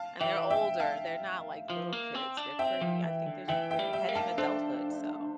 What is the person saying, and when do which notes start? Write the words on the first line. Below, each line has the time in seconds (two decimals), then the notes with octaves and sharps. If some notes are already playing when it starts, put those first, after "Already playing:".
And they're older, they're not like little kids, they're pretty. I think there's they're heading adulthood, so.
Already playing: F5 A5
0.21 E3 E5 G5
0.50 E5 G5
0.80 F5 A5
1.70 F3
1.93 A#3
2.15 C4
2.37 D4
2.59 C4 E5 G5
2.81 F3
3.04 E3
3.26 D3
3.48 E3 E5 G5
3.70 E5 G5
3.79 G3
3.93 E5 G5
4.09 A#3
4.15 F5 A5
4.38 D4 A4 C5